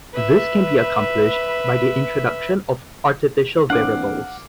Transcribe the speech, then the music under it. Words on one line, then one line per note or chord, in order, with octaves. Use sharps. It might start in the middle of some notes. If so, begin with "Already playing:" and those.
This can be accomplished by the introduction of "artificial variables".
B4 E5
E3 A#3 C4 D4 F5 F#5 D6